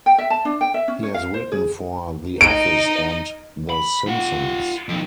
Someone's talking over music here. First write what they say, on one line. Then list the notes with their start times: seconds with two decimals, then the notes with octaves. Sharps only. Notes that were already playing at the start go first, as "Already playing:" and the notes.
He has written for "The Office" and "The Simpsons".
0.06 G5
0.18 E5
0.30 A5
0.45 D4
0.61 G5
0.74 E5
0.88 C#4
1.03 C#5
1.14 F5
1.34 C5
1.52 G#4
2.41 D#4 D#5 D7
3.70 B5
4.07 F4 F#5
4.89 F2 D#3